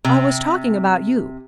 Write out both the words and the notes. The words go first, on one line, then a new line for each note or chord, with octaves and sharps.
I was talking about you.
C3